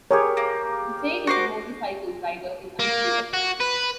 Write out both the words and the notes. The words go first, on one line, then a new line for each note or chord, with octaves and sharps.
The fate of the motorcycle rider is unclear.
G4 G#4 A#4 C#5
A#3
F#4 C5 D6
A#3
F#4
B4